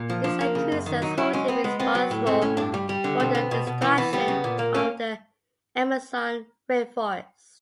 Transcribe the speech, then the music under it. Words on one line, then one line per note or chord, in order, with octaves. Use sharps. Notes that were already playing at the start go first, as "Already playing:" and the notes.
His accusers hold him responsible for the destruction of the Amazon rainforest.
Already playing: A#2
F3
F3 D4
A#3
C#3
F#2
D#3
F#3 D#4
F#3 E4
G#3 C#4
B3 C4
G#3 B3
B3 C4
F#3
A2
A3 C4
A2 C#4
G2 D4
G3
G3
D3
B2 C4
B3
B2
B2
E3 B3
E3 B3
G3 B3
C#3
A#2
A#3
A#3 C#4